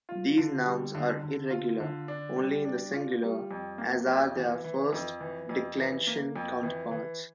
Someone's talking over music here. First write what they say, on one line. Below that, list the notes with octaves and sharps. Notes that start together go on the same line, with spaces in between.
These nouns are irregular only in the singular, as are their first-declension counterparts.
F4
D3
G3
D3
D3
F4
D3
D4
G3
D4
F4
G3
F2
A#3
F2
E3
E3
F2
E3
F2
E3
A#3
F2
E3
E3